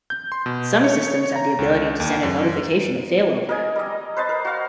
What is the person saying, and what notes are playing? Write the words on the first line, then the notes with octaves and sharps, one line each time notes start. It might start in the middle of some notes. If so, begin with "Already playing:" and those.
Some systems have the ability to send a notification of failover.
G6
C6
B2
C#5
A#5
C#2
D#2
F#2
A#4 D#5 G#5
G3 D#5
B4 C5 D#5 A5
A#4
F#4 F5